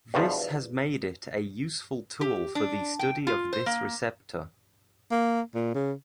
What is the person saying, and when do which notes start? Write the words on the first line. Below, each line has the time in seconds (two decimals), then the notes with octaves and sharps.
This has made it a useful tool for the study of this receptor.
0.14 E2 G2 B2 F3
2.21 G4
2.55 D4
2.99 G5
3.27 F4
3.53 C5
3.66 A#3
5.11 A#3
5.55 A#2
5.74 C#3